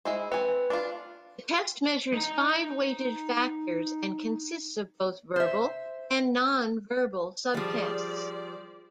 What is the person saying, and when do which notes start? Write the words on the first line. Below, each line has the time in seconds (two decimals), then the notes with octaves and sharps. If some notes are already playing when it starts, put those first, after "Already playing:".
The test measures five weighted factors and consists of both verbal and nonverbal subtests.
0.05 G#3 E4 C5
0.32 C4 B4 G#5
0.70 D4 F4
2.14 D#4 A#5
5.36 C5 E5
7.54 F3 G3 G#4 C5 D5